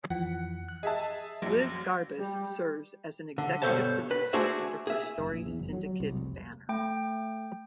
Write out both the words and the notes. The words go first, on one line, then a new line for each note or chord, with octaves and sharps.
Liz Garbus serves as an executive producer under her Story Syndicate banner.
F2 E3 F3 F#5
F#6
G#4 D#5 E5 A5
A#1 F#2 F#3
G3
D3
G2 B2 A4 C5 C#5 A5
B4
A3 D4 F#4 G#4 C5 E5
G#4 E5
F#1
A#1
E2
F#1
F#3
F#3
C2
F1
A3 G5